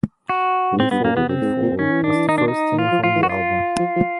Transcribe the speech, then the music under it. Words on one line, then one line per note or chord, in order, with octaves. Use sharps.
"We Fall, We Fall" was the first single from the album.
F#4
G2
G#2 C4
G2 B3
F#2 A#3
E2 B3
F#2 C4
A2
G#2
A#2
D#3 C#4
E3
D#3 D4
E3
D#3 D#4
D4
D#4
D#3
E3 F4
F3
F3 F4
E3
F#4
F4
F3
F3